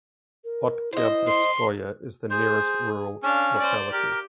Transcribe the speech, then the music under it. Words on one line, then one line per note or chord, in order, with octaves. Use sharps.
Oktyabrskoye is the nearest rural locality.
A#4
E4 C5 D#5
C6
G#4 C5
C#4 D4 F5
C5 D5
G4 A#4